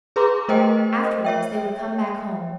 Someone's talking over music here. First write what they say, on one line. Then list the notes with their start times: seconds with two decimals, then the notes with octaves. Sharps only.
Afterwards they would come back home.
0.16 G#4 B4 A#5 C6 D6
0.49 A3 A#4 C5 D#5 G5
1.25 C#5 E5 G5